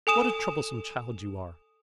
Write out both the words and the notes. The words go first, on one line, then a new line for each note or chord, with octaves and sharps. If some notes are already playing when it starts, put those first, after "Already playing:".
What a troublesome child you are!
A4 G#5 D#6 E7